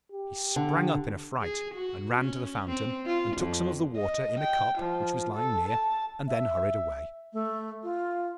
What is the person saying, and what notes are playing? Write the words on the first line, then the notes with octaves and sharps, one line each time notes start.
He sprang up in a fright, and ran to the fountain, and took some of the water in a cup which was lying near, and then hurried away.
G4
D3
G#4
F#4
C#4
C4
F4
F2
D#5
G5
F3
A4
A5
E5
A3
F4